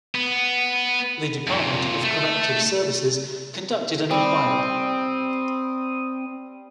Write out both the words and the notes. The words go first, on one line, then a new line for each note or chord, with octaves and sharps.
The Department of Corrective Services conducted an inquiry.
B3
F2 A#2
A3
G3 C4 D#6